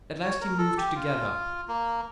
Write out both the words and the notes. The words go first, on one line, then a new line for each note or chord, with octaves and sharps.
At last he moved to get up.
C#5
A#4
A4
G4
F4
A#3